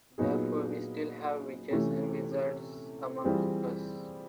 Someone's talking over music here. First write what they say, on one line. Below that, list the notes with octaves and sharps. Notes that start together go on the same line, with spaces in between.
Therefore we still have witches and wizards amongst us.
A#2 F#3 B3 D#4 G#4
C3 E3 A3 C#4
E3 G3 C4 F4 G#4